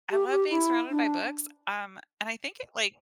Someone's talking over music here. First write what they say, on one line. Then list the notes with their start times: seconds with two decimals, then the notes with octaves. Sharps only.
I love being surrounded by books. Um, and I think it like
0.11 G4
0.31 G4
0.50 E4
0.90 D4